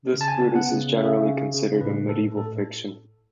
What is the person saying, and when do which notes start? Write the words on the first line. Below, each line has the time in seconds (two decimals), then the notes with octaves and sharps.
This Brutus is generally considered a medieval fiction.
0.14 C#3
0.21 A5
0.28 G#5
0.35 A5
0.41 B3
0.56 F#5
0.69 C#3
0.97 C#3 E5
1.25 C#3
1.54 C#3
1.81 A2 B4
2.09 A2 A4
2.37 A2 A4